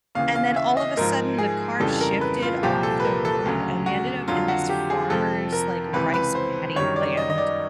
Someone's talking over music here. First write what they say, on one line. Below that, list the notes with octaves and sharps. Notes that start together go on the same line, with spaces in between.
and then, all of a sudden, the car shifted off the road, and we ended up in this farmer's, like, rice paddy land.
D#2 C#3 E3 F5
F5
E5
D#5
G#2 F3 A#4
G#4
F2 C#3 E3 G3 A4
A#4
B4
F4
C2 A#2 F3 G4
A4
B4
A#4
A4
D2 C#3 F#3
F#4
F2 D3 F#3 F4
F#4
G4
G#4
F2 C3 F3 A4
A#4
C#2 C3 E3 B4
B4
C5
F#2 D#3 G3 C#5
D5
D#5
D#5
D5